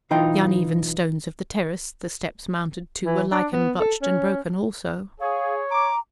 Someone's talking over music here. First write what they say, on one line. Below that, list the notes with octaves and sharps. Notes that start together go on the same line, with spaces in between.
The uneven stones of the terrace the steps mounted to were lichen-blotched and broken also.
B1 E3 D#4 F4 G5
E3
D4
B3
A4
C#4
G#4 C#5 F5
A#5 D6